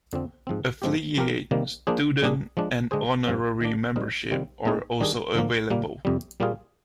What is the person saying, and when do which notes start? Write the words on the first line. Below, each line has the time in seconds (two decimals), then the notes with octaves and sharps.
Affiliate, Student and Honorary membership are also available.
0.13 F2 D3 F3 C4
0.47 G#2 F3 C4
0.82 G#2 F3 G#3 C4 G4
1.17 F3 C4 G4 A#4
1.51 C3 D#3 G3 A#3
1.87 F3 A#3 D4 G#4 C5
2.22 A#2 G3 D4 G#4
2.57 F3 G#3 D4
2.91 D3 G#3 D4 G#4 C5
3.27 G2 F3 C4 F4
3.61 D#3 A#3 D4
3.96 G3 C4 D#4 A#4
4.31 C3 D#3 G3 C4 F4
4.65 A#2 G#3 C4 D#4 G#4
5.00 D#3 G3 D4 G#4
5.35 D3 F3 A#3
5.70 A#2 G3 A#3
6.05 F2 C3 G3
6.40 A#2 G3 A#3 F4 G#4